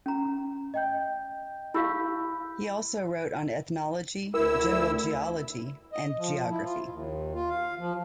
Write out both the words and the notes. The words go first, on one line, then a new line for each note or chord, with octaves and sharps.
He also wrote on ethnology, general geology, and geography.
C#4 A#5
D#5 G5 G6
E4 G4 F5 B5 E6 G6
D2 E4 A#4 E6
D#5
F3
E4
F4
D#2
F4
F5
F3